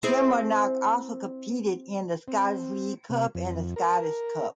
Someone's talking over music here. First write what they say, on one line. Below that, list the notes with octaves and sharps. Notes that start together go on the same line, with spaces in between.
Kilmarnock also competed in the Scottish League Cup and the Scottish Cup.
C4 E4 G#4
C4
C3
F2
A#4